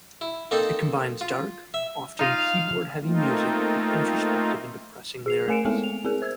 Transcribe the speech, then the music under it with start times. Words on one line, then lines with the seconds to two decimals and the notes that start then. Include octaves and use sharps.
It combines dark, often keyboard-heavy music with introspective and depressing lyrics.
0.21 E4
0.51 A#3 C4 D#4 A4
1.21 F4
1.74 E5
2.19 D#4 F4 D#5 F5 F6
3.03 A3 A#3 C4 D#4 F4
5.26 G#4 C7 F7
5.48 A3 A#4 G#5 C#7 D7 E7
5.65 G#3 B3 C4 A4
5.84 F7
6.05 C4 G#4 A#4
6.22 C5 E6 G#6